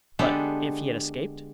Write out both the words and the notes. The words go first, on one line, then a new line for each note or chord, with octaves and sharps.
"But if he had escaped?"
D3 G#3 B3 D4 G4 A4